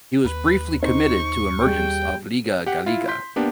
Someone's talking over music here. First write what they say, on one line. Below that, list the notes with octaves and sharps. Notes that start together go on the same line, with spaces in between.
He was briefly committed to emergence of Liga Gallega.
D#2 B4
D#4 C5 C#6
G3 G#4 G5
G4 F#5
E4 F4
C6 G6 B6
A#3 B3 D4 G4